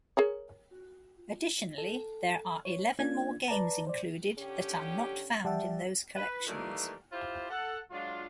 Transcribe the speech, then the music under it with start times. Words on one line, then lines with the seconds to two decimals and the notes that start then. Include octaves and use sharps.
Additionally, there are eleven more games included that are not found in those collections.
0.17 G#4 A#4 C#5
1.78 A4
2.65 C#5
2.99 A#3 C#4 D4 F4 G#6
3.48 B4 D5 A5 A#5
3.87 C5 D5
4.39 D3 C#4 G4
5.44 G3 E5 F#5 A5
6.16 B4
6.47 D#3 E3 G3 A3 A#3
7.12 E4 F4 G4 C5
7.50 A4 F#5
7.91 F#3 G#3 D4 F4